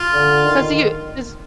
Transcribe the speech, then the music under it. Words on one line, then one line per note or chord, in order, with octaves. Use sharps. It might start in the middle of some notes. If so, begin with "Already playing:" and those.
'cause you this
Already playing: F4
D3
D#3